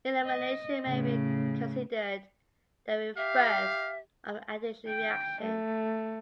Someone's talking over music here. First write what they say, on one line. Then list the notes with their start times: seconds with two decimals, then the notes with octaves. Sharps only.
Elimination may be considered the reverse of an addition reaction.
0.23 D#5
0.86 A2 C#3
3.17 G4 E5 F5
4.87 G5
5.41 A3